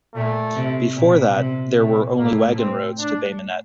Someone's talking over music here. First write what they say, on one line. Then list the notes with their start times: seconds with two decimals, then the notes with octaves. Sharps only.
Before that there were only wagon roads to Bay Minette.
0.14 A#2 A3
0.55 C3
0.96 A#2
1.36 C3
1.77 A#2 A3
2.18 A2 A#3
2.58 C4
2.99 D4